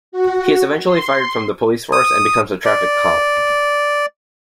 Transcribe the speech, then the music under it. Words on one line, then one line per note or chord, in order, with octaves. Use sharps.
He is eventually fired from the police force and becomes a traffic cop.
F#4
C6
D#6
D5